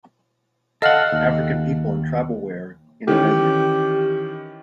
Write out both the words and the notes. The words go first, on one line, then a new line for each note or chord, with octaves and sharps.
African people in tribal wear in a desert.
A4 D#5 F5 F#5 F6
D#2
D#3 E3 C#4 G4